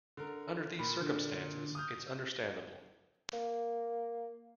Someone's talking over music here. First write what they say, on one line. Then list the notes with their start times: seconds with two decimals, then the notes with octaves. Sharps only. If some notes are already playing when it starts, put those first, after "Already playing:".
Under these circumstances it's understandable.
0.17 D3 A#4
0.79 A#2 B5
1.00 D3
1.75 D#6 F6 G6
3.33 A#3